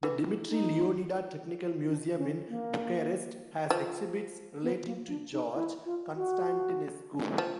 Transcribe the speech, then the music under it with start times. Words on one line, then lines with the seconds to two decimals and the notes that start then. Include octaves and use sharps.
The Dimitrie Leonida Technical Museum in Bucharest has exhibits relating to George Constantinescu.
0.03 E3 E4
0.49 D#4
1.87 D4
2.17 C#4
2.49 A#3
3.70 F3
4.63 B3
4.86 A#3
5.09 D4
5.32 D#4
5.55 E4
5.85 F4
6.16 F#4
7.38 F3